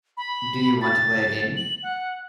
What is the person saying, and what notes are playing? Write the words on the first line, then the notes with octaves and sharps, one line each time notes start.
Do you want to play a game.
B5
A6
F#7
F#5